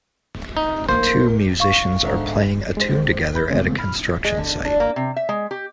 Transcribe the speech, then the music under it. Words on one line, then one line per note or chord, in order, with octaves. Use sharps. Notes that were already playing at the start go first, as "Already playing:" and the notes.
Two musicians are playing a tune together at a construction site.
D#4
A#3 C5
F5 C#6
G#2 D3 E5
G#3 C5
F2 B5 G6
C#3 E3 G#3 A3 B3 C4
C2 A#2 B5 F6
G#3
D3
D4
A#3
C3
E5
G#3
G4